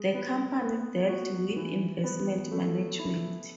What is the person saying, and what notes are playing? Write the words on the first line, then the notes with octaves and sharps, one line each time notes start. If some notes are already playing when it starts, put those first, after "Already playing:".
The company dealt with investment management.
Already playing: G#3
B3
B3
F#4
E3
B3
A3
E4